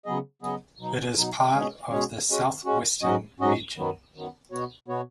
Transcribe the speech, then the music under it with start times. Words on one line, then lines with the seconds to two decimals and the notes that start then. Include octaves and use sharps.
It is part of the south-western region.
0.05 C#3 F#3 B3 G#4 D#5
0.42 C#3 F#3 B3 G#4 D#5
0.79 B2 F#3 D#4
1.16 B2 F#3 D#4
1.54 B2 G#3 C#4 G#4 C#5
1.91 B2 G#3 C#4 G#4 C#5
2.28 G#3 C#4 F#4
2.65 G#3 C#4 F#4
3.02 G#2 F#3 C#4 F#4 D#5
3.40 G#2 F#3 C#4 F#4 D#5
3.76 F#2 D#3 F#3 B3
4.14 F#2 D#3 F#3 B3
4.51 B2 B3 F#4 C#5
4.88 B2 B3 F#4 C#5